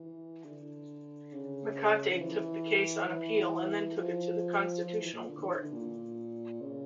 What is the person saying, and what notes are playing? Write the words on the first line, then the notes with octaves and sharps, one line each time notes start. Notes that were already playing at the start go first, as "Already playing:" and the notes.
Makate took the case on appeal, and then took it to the Constitutional Court.
Already playing: E3
D3
C#3
F3
E3
E3
F3
F3
E3
A#2
D3
E3
D3
A#2
C#3